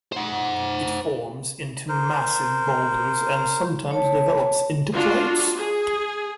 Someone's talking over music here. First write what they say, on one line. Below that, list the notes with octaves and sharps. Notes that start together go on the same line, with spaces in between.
It forms into massive boulders and sometimes develops into plates.
C5 F#5
A#4 C5
C#5 A5
D4 F4 F#4
G#4